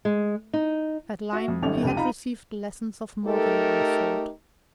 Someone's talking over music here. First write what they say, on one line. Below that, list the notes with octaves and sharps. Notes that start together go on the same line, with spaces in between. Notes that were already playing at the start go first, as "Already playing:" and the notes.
At Lyme, he had received lessons of more than one sort.
G#3
D#4
F#4 E5
F2
G#1 F#2 D#3 G3 A3 F7
F1 C#2 G4 D#7
D#4 F4 A#5 B5
A3 D#4 G4 A4 A#4